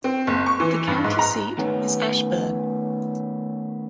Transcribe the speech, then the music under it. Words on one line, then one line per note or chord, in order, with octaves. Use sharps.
The county seat is Ashburn.
C4
F#1
C#6
E3
G2
G#2
A#5
D#3 A3 B3 C#4